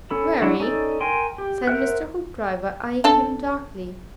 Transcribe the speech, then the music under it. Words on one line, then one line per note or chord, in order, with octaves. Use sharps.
"Very," said Mr. Hoopdriver, eyeing him darkly.
C#4 A4 B5
F#3 D4 E4 F#5
C#4 D#4 A4 D5
A#4 G5 G#5 C6
G4
A#4 C5 E5 F#5 F#6
D4 A4 A5